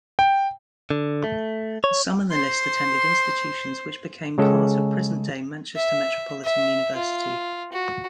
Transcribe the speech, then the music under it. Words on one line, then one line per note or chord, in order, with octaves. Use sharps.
Some in the list attended institutions which became part of present-day Manchester Metropolitan University.
G5
D3
A3
C#5
C5 C6
C#3 G#3 C#4 A4 G5
E5
E5
F4
F#4